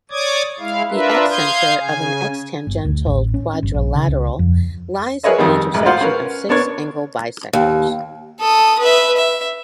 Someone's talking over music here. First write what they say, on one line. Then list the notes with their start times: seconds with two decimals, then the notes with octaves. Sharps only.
The excenter of an ex-tangential quadrilateral lies at the intersection of six angle bisectors.
0.11 C#5 D5 D6 D#6 G#6
0.59 G#3 E4 F5
0.90 D4 F4 A#4 B4 E5
1.30 F5 C6 D#6 G6 G#6
1.79 C#3 G#5
2.67 G1
2.85 D2
3.06 A1
3.34 C#4
3.63 G1
3.74 A#1
3.95 C#3
4.08 C#2
4.39 F2
5.23 G#4 A#4 B4 C#5 D#5 E5
5.38 F2 D#3 G3
5.74 A1 G#3
5.86 F4 C5 F5 F#5
6.01 C#4 A#4 B4
6.49 B3 D4 A#4 C#5
7.53 D#2
8.40 A4 D#6
8.79 B4 E5
9.17 E5